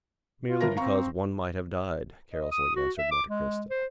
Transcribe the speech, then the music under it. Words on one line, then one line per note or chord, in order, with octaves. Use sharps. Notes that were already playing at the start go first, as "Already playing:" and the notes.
"Merely because one might have died," carelessly answered Monte Cristo.
F4
G1 A#4 A#6
C4 F5 A#5 C#6
D#5
D#6
F#4
E5
D6
G#3
C5